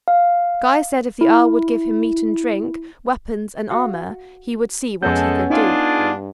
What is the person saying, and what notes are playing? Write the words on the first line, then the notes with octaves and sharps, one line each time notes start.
Guy said if the earl would give him meat and drink, weapons and armor, he would see what he could do.
F5
E4
F#4 F5
F2 G#3 B3 C#4 A4 G6
D4 D#4 F4 G#4
G2